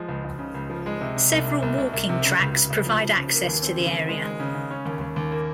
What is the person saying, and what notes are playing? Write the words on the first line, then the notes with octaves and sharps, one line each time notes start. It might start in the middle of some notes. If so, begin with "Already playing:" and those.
Several walking tracks provide access to the area.
Already playing: F3 G#3
C#2
C#2
C#3
C#2
F3
G#3
C3
C3
C2
C3
C2
C2
C2
C3
C#3
C#2
C#2
C#2
F3
F3
C#3
A#3
D#2
C4
C#3
D#2
G#3
G#3
C#3
C#3
C#4
D#2
D#2
D#2
A#3